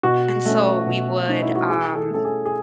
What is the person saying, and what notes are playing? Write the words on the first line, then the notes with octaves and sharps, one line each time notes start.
and so, we would, um,
B2 F#4
A3 C#4
B2
A3 C#4 D#4
E4
F#4
E3 G#4
A4
A3 C#4 A4
G#4
G#4